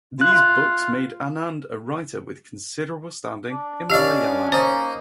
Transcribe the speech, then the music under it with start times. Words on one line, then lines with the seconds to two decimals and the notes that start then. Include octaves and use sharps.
These books made Anand a writer with considerable standing in Malayalam.
0.21 F4 F#6
3.51 D4
3.90 C#4 G4 D5 D#5 F5
4.52 A#3 D#4 C5